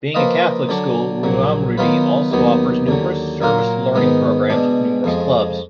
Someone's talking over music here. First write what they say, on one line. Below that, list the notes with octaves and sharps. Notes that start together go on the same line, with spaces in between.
Being a Catholic school Ruamrudee also offers numerous service learning programs with numerous clubs.
F3 A#3 F4 B4 D#5
D3 F#3 D4
A#1 A#2 F#3
D#3 F#3 B3 F4 B4
D#2 D#3 F#3 B3
D#2 D3 F#3
A#2 F#3 A#3 F4 A#4
G#2 D#3 G#3 B3
B2 G#3 D4
F2 F3 G#3